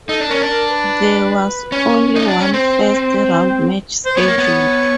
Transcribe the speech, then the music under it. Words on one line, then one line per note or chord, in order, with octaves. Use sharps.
There was only one first round match scheduled.
D#4 A4
D4
C#4 A#4
D4
A#4
B4
C#4
D#4
D4
C#4
C4 C5
C5
B3 C#5
A#3
B3